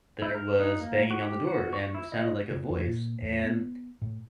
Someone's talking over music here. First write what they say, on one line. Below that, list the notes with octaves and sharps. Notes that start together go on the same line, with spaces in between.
there was banging on the door and it sounded like a voice, and
E4
A#4
D#4
A#3
F#4
G4
F#4
C#6
E4
D#5
C#3
F2
A#2
E2
B3
A2